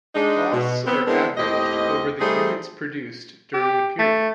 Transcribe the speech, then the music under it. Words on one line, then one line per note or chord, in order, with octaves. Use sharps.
Costs are averaged over the units produced during the period.
G#3 D4 D#4
B2
B3 C4
G#3 B3 C4 D4 E4 A#4
D#2 A2 C4 G4 D#5
G3 A3 C4 D#4 G#4
G4
A3